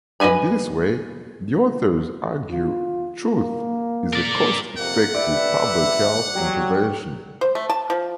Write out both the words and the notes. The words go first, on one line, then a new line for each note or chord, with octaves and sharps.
In this way, the authors argue "truth" is a cost-effective public health intervention.
B4 D#5 E5 G#5 B5
F4
A#3
A#4 D5
F2 C3 A#3 F#5
G4 B4 D5 E5
F#3 G4
C5
A3
A5
F3